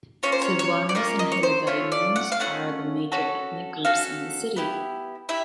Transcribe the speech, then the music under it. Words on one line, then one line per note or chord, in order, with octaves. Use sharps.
Cebuanos and Hiligaynons are the major ethnic groups in the city.
A#3 C#4 F4 C#5
C5
C#5
C#5
D5
A#3 C#4 F4 C#5
D#5
C#5
C5
A3 C#4 F4 C#5
D5
F#5
F5
A3 C#4 F4 F#5
C#4 F#4 A4
C#4 F#4 A4 F5
B3 E4 G4
E4 G4 E5